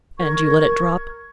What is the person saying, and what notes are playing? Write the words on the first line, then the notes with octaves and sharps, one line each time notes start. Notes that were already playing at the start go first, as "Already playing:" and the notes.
"And you let it drop?"
A#4 C#6 G#6